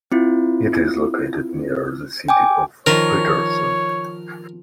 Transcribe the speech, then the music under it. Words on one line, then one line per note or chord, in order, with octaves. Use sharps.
It is located near the city of Paterson.
C4 E4 F4
G5 G#5 D6
D#3 F3 A#4 C#5